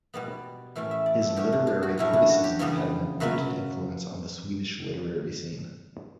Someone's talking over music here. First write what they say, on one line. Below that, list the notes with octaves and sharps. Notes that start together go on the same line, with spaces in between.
His literary criticism had an important influence on the Swedish literary scene.
B2 G3 B3 D5
A2 E3 A3 C#4 D5
E5
D5
A4
B2 A3 C#4 G4
D4
D4
F#4
A2 F#3 A3 C#4 E4
D4
F#4
G4
E2 C#3 G3 B3
F#2 C#3 F#3 C#4 B4